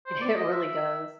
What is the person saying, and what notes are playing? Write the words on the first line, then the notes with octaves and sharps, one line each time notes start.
It really does.
C5
D5
D#5
E5